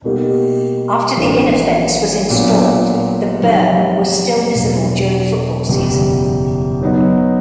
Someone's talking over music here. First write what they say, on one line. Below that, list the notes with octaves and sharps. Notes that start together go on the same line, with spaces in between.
After the inner fence was installed, the berm was still visible during football season.
B2 G3 A#3 D#4 G4
A1 A2 F3 A#3 D4
A#2 F#3 B3 D4
F2 C3 D#3 F#3
E1 E2 B2 F#3
F#1 E2 B2 G3
D#3 F#3 B3 D#4